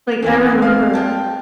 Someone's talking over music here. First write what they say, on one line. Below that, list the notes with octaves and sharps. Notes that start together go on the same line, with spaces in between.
Like, I remember
D#2 E3 C4 D#4 E5 G#5
F5 C6 F6
F4 G5 A5